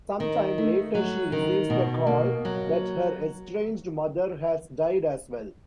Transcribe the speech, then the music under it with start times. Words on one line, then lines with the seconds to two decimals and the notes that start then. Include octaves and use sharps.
Sometime later she receives the call that her estranged mother has died as well.
0.20 D#3
0.58 A3
0.95 F#3
1.32 D#3
1.70 B2
2.07 A#3
2.45 F#3